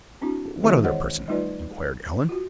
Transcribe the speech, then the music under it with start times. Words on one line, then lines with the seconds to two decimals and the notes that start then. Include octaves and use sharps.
"What other person?" inquired Allan.
0.21 C4 D4 E4 F#4
0.63 D#3 G#3 C4 E4 G#4 E5
0.84 E3 C5 C#5 D#5 F#5
1.28 G3 A3 D#4 F4 B4 D5
2.29 F4 F#4